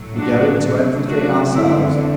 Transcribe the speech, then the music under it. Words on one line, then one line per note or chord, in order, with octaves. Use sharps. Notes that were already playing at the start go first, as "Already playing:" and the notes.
We go into everything ourselves.
Already playing: A2 F#3 A3
D4 F#4
C3 F#3 A3
D4 F#4
D3 A3 C4 E4